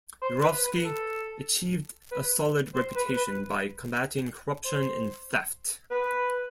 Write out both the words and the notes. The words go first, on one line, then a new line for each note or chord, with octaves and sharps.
Yurovsky achieved a solid reputation by combating corruption and theft.
C5
B4
B4
A4
B4
C5
B4
B4
C5
B4